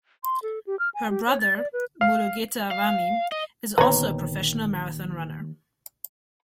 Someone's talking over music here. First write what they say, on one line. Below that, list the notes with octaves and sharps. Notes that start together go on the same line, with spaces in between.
Her brother, Mulugeta Wami, is also a professional marathon runner.
C6
A4
G4
F6
G#5
G4
C#5
A6
D5
B4
F5
F5
D#5
A#1 D#2 D3 B3 B4 C#5 A#5